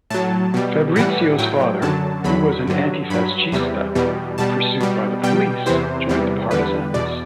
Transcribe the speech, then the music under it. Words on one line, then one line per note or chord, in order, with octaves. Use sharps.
Fabrizio's father, who was an "antifascista" pursued by the police, joined the partisans.
A2 F#3 A5
B2 G3
A2 E3 G3 F#5
A2 F#3 G5
F#2 D3 F#3 A5
E2 D3 F#3 B5
G2 D3 F#3
G2 F#3 B5
E2 C3 E3 G3
E2 B2 G3
B2 G3 A5
B2 G3
B2 G3 G5
E2 C3 E3 C5
E2 C3 E3 G3
E2 D3 G3 B4
E2 B2 D5